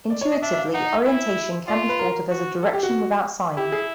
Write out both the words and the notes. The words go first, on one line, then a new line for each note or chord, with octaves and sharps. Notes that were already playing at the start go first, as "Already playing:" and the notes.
Intuitively, orientation can be thought of as a direction without sign.
D5
C#5
D#5
D4 E5
E5
F5
D#4 F#5
E4
F4 D5
B4
A#4
F#4
A4
G4
F#4
E4 G4
G#4